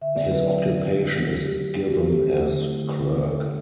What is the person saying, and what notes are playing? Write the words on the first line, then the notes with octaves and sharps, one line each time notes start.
His occupation is given as "clerk".
D3 E5
D5
F#3 C4 E4
B4
D3
F#3 C4 E4
D3
F#3 C4 E4
D3 G4
F#3 C4 E4
G4
D3 F#4
A4
A3 C4 E4 G4
D3
A3 C4 E4
D3
A3 C4 E4
D3 A4